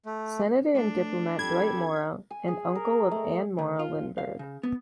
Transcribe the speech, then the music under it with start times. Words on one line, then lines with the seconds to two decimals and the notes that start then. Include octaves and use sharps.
Senator and Diplomat Dwight Morrow and uncle of Anne Morrow Lindbergh.
0.06 A3
0.74 A3 D4
1.39 F2 G4 A4 B5 G#6
2.30 G#5
2.48 G#4
2.75 A#4
3.11 A3
3.59 D2
3.79 F4
4.18 F5
4.39 C#3
4.63 B3